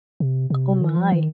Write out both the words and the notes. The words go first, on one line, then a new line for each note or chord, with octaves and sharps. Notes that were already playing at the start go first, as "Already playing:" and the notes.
Oh my.
C3
C3
D#3
F3
D#3